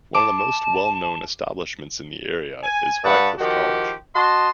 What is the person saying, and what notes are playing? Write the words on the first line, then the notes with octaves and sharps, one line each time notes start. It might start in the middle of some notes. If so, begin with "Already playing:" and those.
One of the most well known establishments in the area is Wycliffe College.
A5 D6
G#5
G2 B4 F#5 A5
D#3 F3 F#4 G4
F#4 D#5 A5 C6